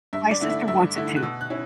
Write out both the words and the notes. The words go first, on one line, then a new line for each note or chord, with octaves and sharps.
My sister wants it too.
G2 E5
D5
D3 A3 E4
E5
G2 E5
D3 A3 E4
F#6
B2 E6
F#6
C#4 E4